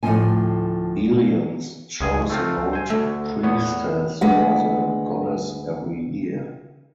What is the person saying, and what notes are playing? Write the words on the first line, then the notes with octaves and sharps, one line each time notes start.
Eleans chose an old priestess for the goddess every year.
D2 A2 C#3 F3 C4 G#5
C#2 F#2 G#4 G#5
A3 C4 F4
C5 G#5
D2 A3 E5
E2 B3 C#5
D2 G#3 B4 F#5